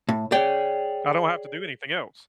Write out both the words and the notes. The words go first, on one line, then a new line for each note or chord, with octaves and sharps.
I don't have to do anything else.
A2
G#4 C#5 D5 G5